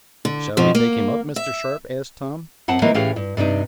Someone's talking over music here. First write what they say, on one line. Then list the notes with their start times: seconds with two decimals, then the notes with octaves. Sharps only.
"Shall we take him up, Mr. Sharp?" asked Tom.
0.25 D3
0.57 F2 B2 F3
0.75 A#3
1.36 E5
2.68 F#2 C4 F#5 A5
2.82 E3 F#3 G3 A#3 D#4
2.94 A2 E3 C#4 G4 G#4 F5
3.16 G2
3.37 G2 C3 D4 D#4